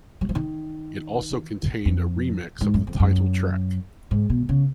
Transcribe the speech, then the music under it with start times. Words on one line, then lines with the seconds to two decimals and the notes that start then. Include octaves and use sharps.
It also contained a remix of the title track.
0.21 F#3
0.29 F3
0.35 D#3
1.85 F2
2.61 G#2
2.74 F#2
2.87 F2
3.00 F#2
4.11 G#2
4.30 B2
4.49 C#3